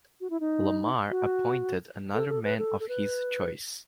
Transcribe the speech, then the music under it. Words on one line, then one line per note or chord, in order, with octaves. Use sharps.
Lamar appointed another man of his choice.
F#4
E4
D#4
F#4
A4
A4
B4
A4
A4
B4